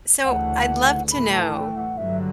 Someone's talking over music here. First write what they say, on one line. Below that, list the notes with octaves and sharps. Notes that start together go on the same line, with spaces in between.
So, I'd love to know
D2 C#3 E3 A3 F#5
A2 E3 A3 B5
A5
G5
F#5
G2 D3 F#3 E5